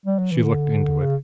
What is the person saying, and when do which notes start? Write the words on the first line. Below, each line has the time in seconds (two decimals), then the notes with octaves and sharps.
She looked into it.
0.06 G3
0.18 F#3
0.31 E3
0.44 D3
1.01 C#3